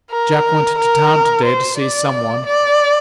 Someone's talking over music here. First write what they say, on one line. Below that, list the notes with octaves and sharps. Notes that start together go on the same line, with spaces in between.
Jack went to town today to see some one.
A#4
A#4
C5
D5
D5